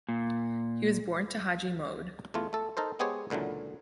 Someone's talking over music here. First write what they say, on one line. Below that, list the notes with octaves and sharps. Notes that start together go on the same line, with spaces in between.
He was born to Haji Mohd.
A#2
E2 A3 F4
A3 A4
D#4 A4 A#4 C5
G#3 B3 G4 G#4 C5 C#5
C#2 A#2 D3 E3 F#3